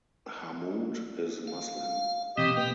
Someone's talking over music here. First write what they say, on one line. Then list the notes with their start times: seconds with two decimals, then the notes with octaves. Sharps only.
Hammoud is Muslim.
1.47 F5
2.38 B2 E3 C4 G4 D#5
2.57 A#3 B4 G5